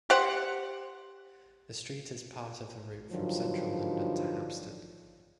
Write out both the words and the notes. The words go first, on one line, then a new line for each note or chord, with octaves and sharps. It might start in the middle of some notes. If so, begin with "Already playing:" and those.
The street is part of the route from central London to Hampstead.
G4 C5 F#5
G2 D3 D#3 F3 F#3